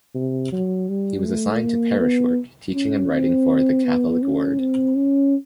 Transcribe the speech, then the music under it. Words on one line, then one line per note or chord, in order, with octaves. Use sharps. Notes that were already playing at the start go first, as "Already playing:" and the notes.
He was assigned to parish work, teaching and writing for the "Catholic Word".
C3
F#3
G3
A3
A#3
B3
C#4
C4
B3
C#4
C4
C#4